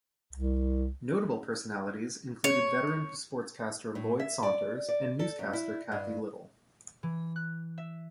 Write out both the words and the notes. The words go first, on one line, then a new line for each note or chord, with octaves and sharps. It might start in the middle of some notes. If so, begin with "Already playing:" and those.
Notable personalities included veteran sportscaster Lloyd Saunders and newscaster Cathy Little.
C2
C#5
A2
E5
D5
D5
A4
F#2
E4
G2
E3
F#6
E5